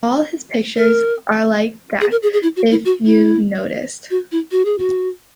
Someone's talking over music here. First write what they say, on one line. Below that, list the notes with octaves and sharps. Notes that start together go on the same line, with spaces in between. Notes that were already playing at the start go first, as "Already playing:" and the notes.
All His pictures are like that, if you’ve noticed.
A#4
G#4
A#4
G#4
G#4
E4
F#4
E4
F#4
E4
F#4
E4
F#4
G#4
F#4